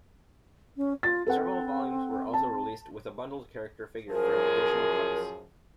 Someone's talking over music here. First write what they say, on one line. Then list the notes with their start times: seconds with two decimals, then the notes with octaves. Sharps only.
Several volumes were also released with a bundled character figure for an additional price.
0.77 C#4
1.03 F4 A6
1.27 C4 A4 B4 F#5
2.33 A5
4.10 F#2 F3 G#4 A#4